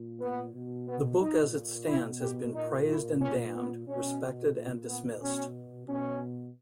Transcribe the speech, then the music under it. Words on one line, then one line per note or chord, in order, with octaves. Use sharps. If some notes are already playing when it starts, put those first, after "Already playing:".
The book as it stands has been praised and damned, respected and dismissed.
Already playing: A#2
B3
B2
B3
A#2 D#4
B2 E4
G4
A#2 D#4
E4
A#2 C#4
B3
B2 C#4
A#2
B3
B2 C#4
B2 C#4